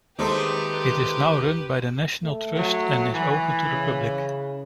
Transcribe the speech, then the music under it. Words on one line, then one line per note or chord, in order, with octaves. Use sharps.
It is now run by the National Trust and is open to the public.
D#2 G#3 A3 C4 D#4 G4 B4 D6
A3
F#3
E3
C#3